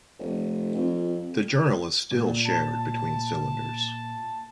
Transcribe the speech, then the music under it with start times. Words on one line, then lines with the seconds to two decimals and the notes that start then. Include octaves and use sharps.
The journal is still shared between cylinders.
0.19 F1
0.74 F2
2.12 A#2
2.46 A5